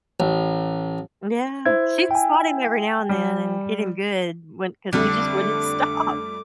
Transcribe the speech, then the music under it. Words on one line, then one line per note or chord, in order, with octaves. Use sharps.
Yeah. She'd swat him every now and then and get him good when 'cause he just wouldn't stop.
A1
E4 C5 G#6
G5 G#5
G3
F2 D3 G3 A3 D6